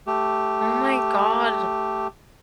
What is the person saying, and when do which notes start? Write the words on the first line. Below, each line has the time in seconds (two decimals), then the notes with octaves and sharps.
Oh my god,
0.07 A3 G4